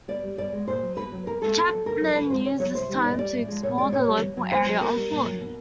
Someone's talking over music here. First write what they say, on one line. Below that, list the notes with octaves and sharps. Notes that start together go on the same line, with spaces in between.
Chapman used this time to explore the local area on foot.
B2 D5
G3
B2 D5
G#3
A#2 C5
F#3
B2 B4
F#3
B2 A#4
G#3 A4
B2
F#3
D3 A#4
F#3
D3 B4
F3 G#3 C5
C#3 C#5
F#3 C#5
C3 C5
D#3 G3
A#2 D5
D#5
G3 D5
A2
F3 G#3
A#2 C#5
F3 G#3 D5
A#2 C#5
G3
B2
F#3
B2 C5
F#3
B2 A#4
G3
A#2
F#3
B2